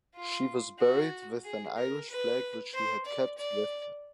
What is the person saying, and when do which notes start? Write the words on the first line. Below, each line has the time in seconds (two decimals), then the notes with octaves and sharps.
She was buried with an Irish flag which she had kept with her.
0.14 F4
0.78 F#4
1.44 G#4
1.76 A#4
2.09 B4
2.73 C5
3.06 D5
3.38 D5